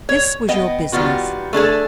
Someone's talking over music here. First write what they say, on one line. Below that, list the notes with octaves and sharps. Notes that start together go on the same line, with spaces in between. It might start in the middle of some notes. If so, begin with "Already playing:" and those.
This was your business!
C#5
B3 D#5 G5
D#3 G3 B3 F4 F#4
A3 D4 G#4 A4